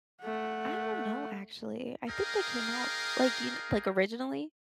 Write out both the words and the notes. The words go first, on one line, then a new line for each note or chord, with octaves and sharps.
I don't know, actually, I think they came out, like, you kn like, originally?
A3 F#5
D4 G#4 A#4 D#5 F5 G5